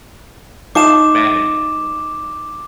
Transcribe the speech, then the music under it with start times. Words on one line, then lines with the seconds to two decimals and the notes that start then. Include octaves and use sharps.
humanity more than anything
0.75 D#4 F5 A5 D6 E7